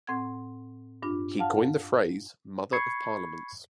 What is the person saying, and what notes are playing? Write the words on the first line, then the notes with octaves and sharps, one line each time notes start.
He coined the phrase Mother of Parliaments.
A2 C4 F#5 G#6
G2 D4 F4
F5 F#5 A5 F6
B5 C#6 G#6 C7 C#7